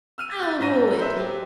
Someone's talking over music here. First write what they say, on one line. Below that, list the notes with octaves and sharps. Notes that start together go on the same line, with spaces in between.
"I'll rule it!"
E6 F6 D#7
F#6 G6 A6
G#2 C5 A#5 E6 A#6 D#7
B4 C5 E5
F#3 G4